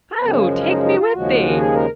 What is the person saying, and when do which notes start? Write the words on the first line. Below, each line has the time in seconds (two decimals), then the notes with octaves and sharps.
'Oh! take me with thee!'
0.21 F#2 C#3 F3 G#3 B3
0.33 A#3
0.56 C#4
0.67 D#4
0.83 D#4
0.98 F4
1.13 D#2 C#3 F3 G#3 F#4
1.58 G#4
1.74 A#4